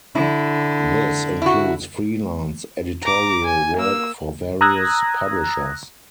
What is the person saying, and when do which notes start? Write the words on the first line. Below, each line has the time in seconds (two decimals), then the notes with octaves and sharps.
This includes freelance editorial work for various publishers.
0.15 D3 E4
1.42 E4 F#4
3.04 A#5 D6
3.45 G#5
3.77 A#3 E6
4.61 A#5 D#6 E6 F#6 G#6 A#6